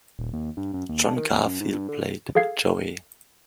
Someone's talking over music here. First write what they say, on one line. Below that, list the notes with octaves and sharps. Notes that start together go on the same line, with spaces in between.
John Garfield played Joe.
D#1
D#2
G2
F#2
D#2
D4
D#3
D#2
F#2
G#2
G2
D3
G#4 A4 F5 G#6 C7